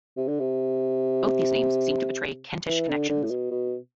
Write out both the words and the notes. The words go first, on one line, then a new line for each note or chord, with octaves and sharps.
Both these names seem to betray Kentish connections.
C3
D3
C3
E3
D3
D3
A2
B2
B2